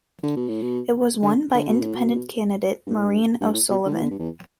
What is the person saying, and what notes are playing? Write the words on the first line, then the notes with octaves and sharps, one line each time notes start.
It was won by Independent candidate Maureen O'Sullivan.
D3
B2
A2
B2
D3
D3
B2
A2
B2
G2
A2
G2
G2
A2
B2
D3
E3
D3
G2
E2